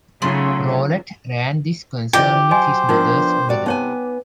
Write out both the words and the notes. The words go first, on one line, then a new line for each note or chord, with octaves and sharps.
Rolette ran this concern with his mother's brother.
C#3 F#3 A3 D#4 F4 C6
C3 E3 F4 G4 D5 D#5
F#3 C5 D#5 G#5
F3 B3 D4 D#4 F4 A#4
C3 F#4 D5
B3 D#4 C#5 F#5 G#5